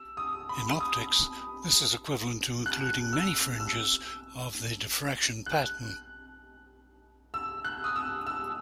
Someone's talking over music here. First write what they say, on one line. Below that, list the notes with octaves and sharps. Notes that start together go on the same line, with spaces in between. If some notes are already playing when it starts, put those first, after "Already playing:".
In optics, this is equivalent to including many fringes of the diffraction pattern.
Already playing: E6
D#6
B5
D#6
F#6
E6
E6
F#6
E6
F#6
D#6
E6
E6